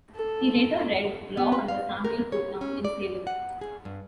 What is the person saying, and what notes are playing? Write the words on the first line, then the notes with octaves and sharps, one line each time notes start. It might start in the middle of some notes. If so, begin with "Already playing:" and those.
He later read law under Samuel Putnam in Salem.
A4
B3
B4
F5
A#4
C#5
C#4
D5
F#5
G#4
G2